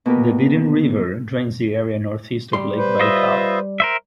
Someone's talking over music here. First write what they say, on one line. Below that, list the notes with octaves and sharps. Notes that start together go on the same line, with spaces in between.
The Vitim River drains the area northeast of Lake Baikal.
B2 A#3 F4 G4 A#4 B4
G3 C6
B4 C5
F4 D#5 E5
A#4 C5 E5